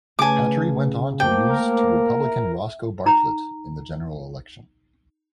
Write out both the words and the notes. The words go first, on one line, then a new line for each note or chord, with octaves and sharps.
Hattery went on to lose to Republican Roscoe Bartlett in the general election.
C#3 A3 B4 G#5 D6
A3 A#3 C5 G5 D6
A#4
E5
D#4 A#5